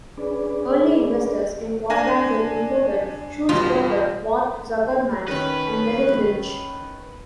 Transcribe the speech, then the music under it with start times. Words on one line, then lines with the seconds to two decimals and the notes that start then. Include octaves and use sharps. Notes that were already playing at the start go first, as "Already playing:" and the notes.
Early investors in Quadrangle included Sulzberger, Mort Zuckerman, and Merrill Lynch.
0.17 C#4 D4 G#4 B4 D5
1.90 D4 G#5 A#6
3.49 E2 B2 G3 F4
5.28 D#3 C#4 B4